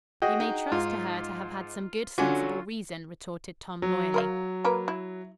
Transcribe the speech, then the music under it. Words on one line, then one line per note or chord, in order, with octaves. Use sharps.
"You may trust to her to have had some good, sensible reason," retorted Tom loyally.
F#4 G#4 D#5 G5
D#4
G#2 F4
D3 F#3 C#4 F4 F#4
F#3
A#4 B4 F5
A#3 A#4 B4
E4